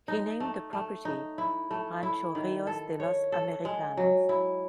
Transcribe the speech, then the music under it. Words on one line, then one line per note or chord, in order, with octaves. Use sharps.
He named the property "Rancho Rio de los Americanos".
D#4
A3
A3
D#4
E4
A3
E4
D#3
A4
C#5
A4
G#3
F#3
E4